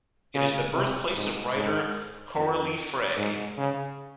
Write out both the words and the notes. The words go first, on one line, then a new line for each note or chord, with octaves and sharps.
It is the birthplace of writer Coralie Frei.
C#3
C3
G#2
G#2
F2
G#2
C#3